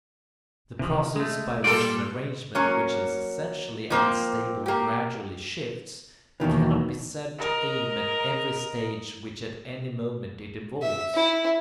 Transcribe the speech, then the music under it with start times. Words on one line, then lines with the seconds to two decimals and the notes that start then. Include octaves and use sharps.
The process by which an arrangement which is essentially unstable gradually shifts cannot be said to aim at every stage which at any moment it involves.
0.79 C3 E3 F3
1.16 G#3 A3
1.64 A#2 G3 F4 A4 D5
2.55 F#3 A#3 C#4
3.90 F3 A#3 C4
4.66 A#3 G4
6.40 D#2 B2 D#3 E3
7.38 A#4 D#5
10.82 E5
11.15 E4